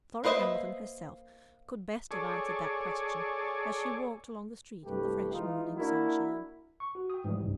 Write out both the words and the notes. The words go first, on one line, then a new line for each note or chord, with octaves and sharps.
Florrie Hamilton herself could best have answered that question as she walked along the street in the fresh morning sunshine.
A#3 B4 C5 D#5 E5
G#4 A4 C#5 D5
C2 G2 A3 G4 A4 B4
E3 G#3 D#4 F4
A#3 D4 E4 F#4 A#4
C#6
F#4
G5 D#6
G#2 E3 F3 G3
C2 G2